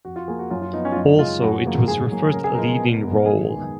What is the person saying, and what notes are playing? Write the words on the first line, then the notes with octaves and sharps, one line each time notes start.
Also it was her first leading role.
F2 F#4
F4
F3 A#3 G#4
F#4
F#2 F4
F4
F3 B3 D#4
C#4
F4
F#2 D#4
C#3 G#3 F4
F#2 F#4
C#3 F3 A#3
G#2 G#4
F#3 A#3
C#3 A#4
G#4
F3 G#3 B3 A#4
B2
G#3 B3
F#2 G#4
D#3 G#3 B3